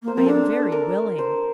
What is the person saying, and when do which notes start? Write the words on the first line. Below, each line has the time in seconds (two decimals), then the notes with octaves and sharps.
"I am very willing."
0.03 A#3 C5
0.15 C4 A#4
0.26 D4 A4
0.72 A#4
1.19 C5